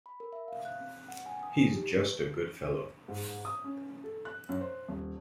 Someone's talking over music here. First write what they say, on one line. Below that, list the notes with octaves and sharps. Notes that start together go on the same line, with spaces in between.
He's just a good fellow.
B5
A#4
E5
F5
F#6
C4
F#5
G#5
D#6
D#4
G4
B4
G#2
D#6
C#4
A4
F#6
F#2
C5
D#1